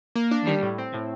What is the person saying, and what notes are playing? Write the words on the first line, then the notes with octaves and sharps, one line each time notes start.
Mm. Yeah.
A#3
D4
G3
A2
C4
A2